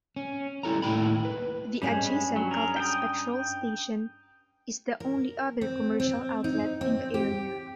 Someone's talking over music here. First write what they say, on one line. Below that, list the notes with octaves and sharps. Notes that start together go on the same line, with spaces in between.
The adjacent Caltex petrol station is the only other commercial outlet in the area.
C#4
G3 E4 A4 A#5
D#2 A2 E4 G5 B5
B4
G2 G3 G#3 C#4 G#5
F#3
G#4 A#4
G5 D#6
A#4
C4
C4
D#4
C4
G4